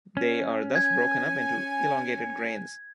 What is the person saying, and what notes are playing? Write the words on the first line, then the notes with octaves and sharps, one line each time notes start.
They are thus broken up into elongated grains.
C#4
G#5 G#6